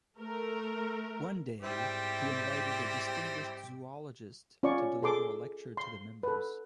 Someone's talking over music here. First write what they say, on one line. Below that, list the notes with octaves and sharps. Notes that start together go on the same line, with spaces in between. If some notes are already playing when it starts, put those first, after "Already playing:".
One day he invited a distinguished zoologist to deliver a lecture to the members.
A3 A#4
G#2 G3 C4 E4 G4 C5 G5
C#4 F4 C#5 D5 C#6
G#4 A4 C6 D6
C6
A4 B4